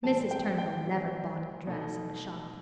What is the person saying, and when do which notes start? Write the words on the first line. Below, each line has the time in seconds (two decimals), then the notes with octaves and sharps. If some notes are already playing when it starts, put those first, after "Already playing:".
Mrs. Turnbull never bought a dress at the shop.
0.03 A2 E3 G3 C4 A5
0.31 G5
0.58 G5
0.85 A2 E3 G3 C4
1.67 B2 A3 D#4